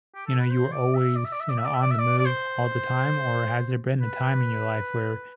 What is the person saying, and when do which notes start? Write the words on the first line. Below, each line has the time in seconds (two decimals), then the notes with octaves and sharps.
you know, you were always, you know, on the move all the time or has there been a time in your life where
0.15 G4
0.27 A4
0.38 B4
0.50 C5
0.72 D5
0.94 E5
1.16 D5
1.25 E5
1.32 D5
1.40 E5
1.49 D5
1.58 E5
1.65 D5
1.74 E5
1.82 D5
1.91 E5
1.98 D5
2.19 D5
2.26 C5
4.01 B4